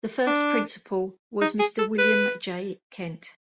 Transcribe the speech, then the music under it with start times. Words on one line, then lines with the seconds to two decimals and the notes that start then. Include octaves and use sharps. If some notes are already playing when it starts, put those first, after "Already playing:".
The first principal was Mr. William J. Kent.
0.27 D4
1.41 D#4
1.59 G#4
1.79 A4
1.98 B4